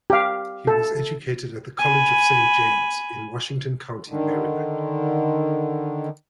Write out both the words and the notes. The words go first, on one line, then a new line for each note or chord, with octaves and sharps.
He was educated at the College of Saint James in Washington County, Maryland.
G4 F5
A4
G#5 B5
D3 D#3